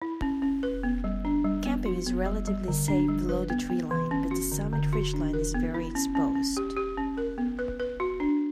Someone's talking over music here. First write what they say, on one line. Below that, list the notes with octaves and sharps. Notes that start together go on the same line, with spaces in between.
Camping is relatively safe below the treeline but the summit ridgeline is very exposed.
E4
C#4
C#4
B4
B3
G3
D4
G3
B3
F#4
B3
G3
G3
D3
D4
G3
B4
B3
B3
E3
C#4
F#4
D3
D3
F#4
D4
A#4
B3
E4
C#4
C#4
C#4
G4
G4
C#4
A#4
B3
B4
B4
F#4
D4